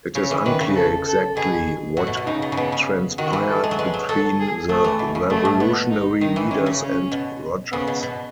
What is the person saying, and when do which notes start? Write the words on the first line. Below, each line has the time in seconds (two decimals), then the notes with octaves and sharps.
It is unclear exactly what transpired between the revolutionary leaders and Rogers.
0.15 C#3 C#5
0.31 E3
0.45 D#3 B4
0.61 C#3
0.75 A4
1.07 A4
1.36 B2 G#4
1.97 A2 F#4
2.07 B2
2.17 B2
2.27 C#3 D#4
2.42 B2
2.52 C#3
2.57 B2 B3
2.72 C#3
3.18 D#3 F#4
3.33 E3
3.48 A4
3.64 G#3
3.71 F#3
3.78 G#3 B4
3.94 F#3
4.09 F#3 A4
4.40 G#4
4.69 F#3 A3
4.84 E3
4.99 B2
5.15 C#3
5.30 B2 A3
5.45 A2
5.60 B2 B3
5.90 D#4
6.20 D#3 D#4
6.36 E3
6.51 D#3 C#4
6.66 C#3
6.81 C#4
7.12 B2
7.72 C#3 B3
7.88 B2
8.03 B2